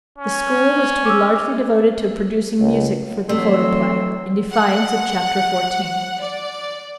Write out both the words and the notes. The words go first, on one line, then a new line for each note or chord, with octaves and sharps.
The school was to be largely devoted to producing music for the photoplay, in defiance of chapter fourteen.
C#4
D6 E6
C#2
E3 F#3 A3 C4 C6 E6
F#5
D5